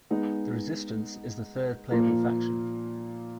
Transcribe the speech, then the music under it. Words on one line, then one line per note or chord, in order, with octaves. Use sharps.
The Resistance is the third playable faction.
G#3 B3 D#4
A#2 F3 A#3